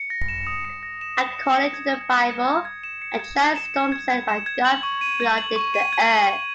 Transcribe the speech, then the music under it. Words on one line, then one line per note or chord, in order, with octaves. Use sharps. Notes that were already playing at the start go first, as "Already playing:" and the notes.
According to the Bible, a giant storm sent by God flooded the Earth.
Already playing: C#7
A#6
E7
D#6
C#7
A#6
E7
D#6
C#7
C#7
G#6
G#6
E7
C#7
G#6
G#6
E7
C#7
G#6
G#6
E7
C#7
G#6
G#6
E7
G#6
F#7
C#6
D#7
G#6
F#7
C#6
D#7
G#6
F#7
C#6